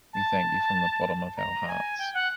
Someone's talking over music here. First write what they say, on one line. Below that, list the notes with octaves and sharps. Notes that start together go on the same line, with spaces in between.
We thank you from the bottom of our hearts.
A5
A#5
G#5
G5
F#5